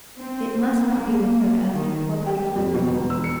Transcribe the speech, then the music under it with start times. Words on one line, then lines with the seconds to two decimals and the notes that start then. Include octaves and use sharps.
It must not be with her as with poor butterfly Ruby.
0.19 C4
0.71 A#3
1.74 D#3
2.26 G4
2.56 F2
2.74 B2
2.87 E1
3.10 E6
3.24 C#7